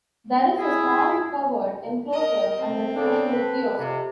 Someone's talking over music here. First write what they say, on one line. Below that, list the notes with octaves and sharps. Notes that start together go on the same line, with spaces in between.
There is a small covered enclosure and a refreshment kiosk.
E4 G#4
A#4 D#5
C4
C#3 D4 A4
A4 B4 B5
F2 C3